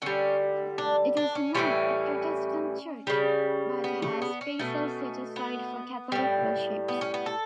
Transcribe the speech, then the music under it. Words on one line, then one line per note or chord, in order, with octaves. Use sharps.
It is now a Protestant church, but has spaces set aside for Catholic worship.
D3 G3 C#4
D4
D4
C#4
A2 E3 G3 C#4
C#3 G3
B3
A3
B3
C#4
B2 A3
B3
A2 G3
B3
C#4
B3
A4